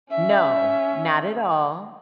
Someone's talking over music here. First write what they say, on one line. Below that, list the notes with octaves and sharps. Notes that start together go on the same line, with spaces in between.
No, not at all.
C#4 E5